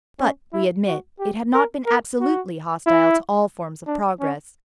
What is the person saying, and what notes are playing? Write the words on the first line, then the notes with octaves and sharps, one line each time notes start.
But, we admit, it had not been absolutely hostile to all forms of progress.
C#4
E4
F#4
G4
A#4
A#4
F#4
E4
D4
C#4